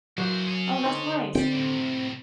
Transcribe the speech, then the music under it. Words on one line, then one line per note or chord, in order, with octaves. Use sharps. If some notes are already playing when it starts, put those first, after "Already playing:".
Oh, that's nice.
E3 F#3 A#3 C5
G#4 C#5
D3 D#4 C5
C4 D5 G5
A2 C3